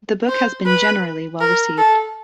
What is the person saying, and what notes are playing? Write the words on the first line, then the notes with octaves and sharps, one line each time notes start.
The book has been generally well received.
C5
B4
A#4
A4